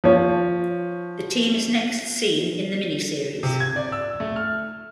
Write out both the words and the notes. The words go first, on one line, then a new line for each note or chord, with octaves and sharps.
The team is next seen in the mini-series.
F3 C#5
C3
G#6
D5
E6
A3
F6